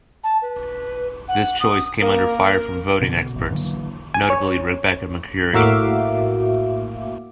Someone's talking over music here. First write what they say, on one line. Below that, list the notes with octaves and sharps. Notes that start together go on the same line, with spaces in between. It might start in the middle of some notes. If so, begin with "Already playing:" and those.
This choice came under fire from voting experts, notably Rebecca Mercuri.
A5
B4
F#5
D#6
A#3 A#4
B2 D3 B3
G#1 F#2
D3 E3 F#3 A#3
G#5
C#5
A2 A#3 F#4 E5 F5 D6